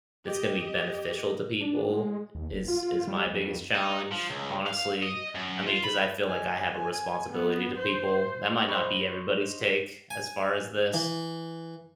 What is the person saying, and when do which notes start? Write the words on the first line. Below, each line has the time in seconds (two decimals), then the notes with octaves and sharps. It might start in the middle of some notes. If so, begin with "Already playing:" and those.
that's gonna be beneficial to people is is my biggest challenge honestly, I mean, 'cause I feel like I have a responsibility to people. That might not be everybody's take as far as this,
0.24 G4 D#5
1.61 D4
1.90 G#3
2.35 D#2
2.52 F#1
2.68 F4
3.07 G3
3.26 F2
3.75 D#4
4.12 F3
4.30 C#2
4.67 F5
5.03 D#5
5.35 F#2
5.66 F4
5.83 B5
6.27 G#5
7.31 B3
7.77 C5
8.69 C5 D#5 B5 C#6
10.11 G#5
10.94 E3